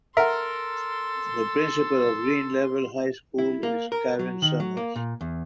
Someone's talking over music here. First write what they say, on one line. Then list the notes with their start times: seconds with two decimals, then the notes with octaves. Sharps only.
The principal of Green Level High School is Karen Summers.
0.17 A4 A#4 E5 F#5 C6
3.38 E4
3.63 A#3
3.92 A#4
4.19 F#3
4.42 D#3
4.60 F#3
4.77 A#3
4.96 A#2
5.21 E2